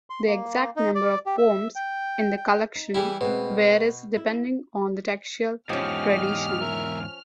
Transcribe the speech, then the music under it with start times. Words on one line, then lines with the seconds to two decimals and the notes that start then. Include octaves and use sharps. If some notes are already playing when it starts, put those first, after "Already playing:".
The exact number of poems in the collection varies depending on the textual tradition.
0.10 C6
0.27 A#3
0.76 D#4
0.95 D5
1.26 G4
1.38 E5
1.76 G5
2.37 G5
2.75 D#4
2.95 E3 G3 E4 G4 G#4
3.21 B2 G#3 A3 C4 B4 G5
4.17 E4
5.69 E2 G#2 F3 C#4 G4 D#5 F6
6.61 A#4 E5